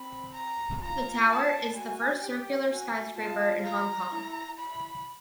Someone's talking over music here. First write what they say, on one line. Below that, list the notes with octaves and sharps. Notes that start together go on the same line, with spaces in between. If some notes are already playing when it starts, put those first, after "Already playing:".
The tower is the first circular skyscraper in Hong Kong.
Already playing: C4 B5
A#5
F4 A#5
A5
F#4 G#5
G4 G5
F#4 G#5
F4 A5
A#5
E4
E4 B5